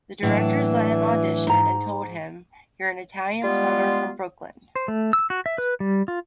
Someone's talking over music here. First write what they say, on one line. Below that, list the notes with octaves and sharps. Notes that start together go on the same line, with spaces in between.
The directors let him audition and told him, "You're an Italian plumber from Brooklyn".
A2 E3 F#3 D4
G#2 D#4 A#5
G3 G#3 B3 F4
C5
A3
E6
F#4
E5
B4
G3
F4